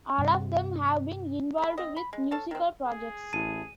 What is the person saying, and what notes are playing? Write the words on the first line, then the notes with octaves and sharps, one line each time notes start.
All of them have been involved with musical projects.
G2 C3
A4 B5
C4 D#5
B5
G#3
A4 C#5 F5 A5
D#3 C4
G#4
A1 E4 A5 D#7